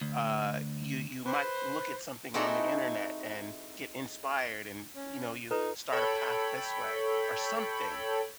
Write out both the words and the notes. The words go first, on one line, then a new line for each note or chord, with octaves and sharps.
uh, you you might look at something on the internet and get inspired and, you know, you start a path this way, or something.
D2
B4 C5
C4 D#4 E4 F#4 G#4 A4
C#4
D#4 F4 A4 B4 A#5
A4 C#5 G5 B5